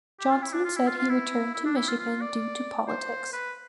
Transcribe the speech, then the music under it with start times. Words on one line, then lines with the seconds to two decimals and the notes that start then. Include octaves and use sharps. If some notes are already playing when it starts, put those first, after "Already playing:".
Johnson said he returned to Michigan due to politics.
0.20 G4
0.31 F4
0.42 E4
0.53 D4
0.64 F4
0.76 E4
0.87 F4
0.98 F4
1.09 E4
1.54 E4
1.66 D4
1.76 E4
1.88 F4
1.99 F4
2.21 D5
2.88 C5
3.33 B4